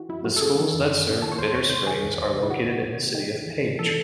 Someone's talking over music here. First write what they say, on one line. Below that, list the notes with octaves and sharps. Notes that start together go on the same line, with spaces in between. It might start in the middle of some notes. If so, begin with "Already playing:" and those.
The schools that serve Bitter Springs are located in the city of Page.
Already playing: E3 F#4
F#2 E4
F#2 F#4
A4
C#3 G#4
E3
F#2
F#2
C#3
D#3 A4
C#5
E2 C5
E2 C#5
C3 C5
D#3 G#4
E2
E2
C3
E4
D#3 F#4
E2
E2
C3
D#3
E2
E2
C3
E3 A4